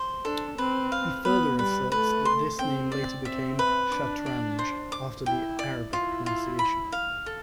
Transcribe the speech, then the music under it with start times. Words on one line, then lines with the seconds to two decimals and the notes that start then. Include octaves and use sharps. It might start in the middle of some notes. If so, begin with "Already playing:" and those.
He further asserts that this name later became "Shatranj" after the Arabic pronunciation.
Already playing: C5
0.25 D4 A4
0.58 C4 B4
0.92 F5
1.25 B3 B4
1.59 G3 B4
1.92 A3 B4
2.25 C6
2.58 C4 G5
2.92 D5
3.25 C4 E5
3.59 B4
3.92 D4 D6
4.26 D5
4.59 C5
4.92 D6
5.26 E4 G5
5.59 D5
5.93 E4 F4
6.26 F4
6.59 B5
6.92 F5
7.26 A4